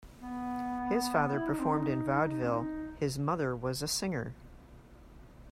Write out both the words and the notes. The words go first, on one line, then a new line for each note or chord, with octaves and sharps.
His father performed in vaudeville; his mother was a singer.
B3
E4
D#4
C4
D#4
D#4
C4
D#4